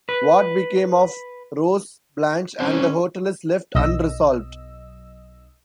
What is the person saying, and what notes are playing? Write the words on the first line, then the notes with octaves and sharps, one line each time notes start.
What became of Rose, Blanche, and the hotel is left unresolved.
B4
E3 G3 C4 C#4
B1 D#5 E6